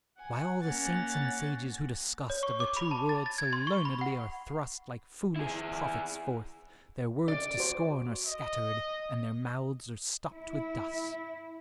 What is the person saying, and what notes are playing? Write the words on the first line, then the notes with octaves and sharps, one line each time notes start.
Why, all the Saints and Sages who discuss'd Of the Two Worlds so learnedly, are thrust Like foolish Prophets forth; their Words to Scorn Are scatter'd, and their Mouths are stopt with Dust.
F#5 G#5
A#3 C#4 C#5 F#5 G#5 A6
C#5
C#6
D6
B5
A5
A6
A6
G#6
C6
C#6
B5
F#5
E4 G#4
D5
F#4 C5
D#5
E4